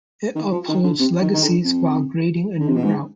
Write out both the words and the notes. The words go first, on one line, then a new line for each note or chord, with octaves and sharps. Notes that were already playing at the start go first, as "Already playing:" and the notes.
It upholds legacies while grading a new route.
D#3
F3
D#3
D3
C3
D#3
D#3
D3
F2
D3
C3
B2
G#2